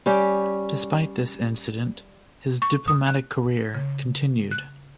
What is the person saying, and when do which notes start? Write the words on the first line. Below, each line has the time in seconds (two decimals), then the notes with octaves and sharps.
Despite this incident, his diplomatic career continued.
0.06 G3 C#4 G4
2.62 C#6
2.88 D#6
3.07 F#6
3.74 C#3
4.51 F#6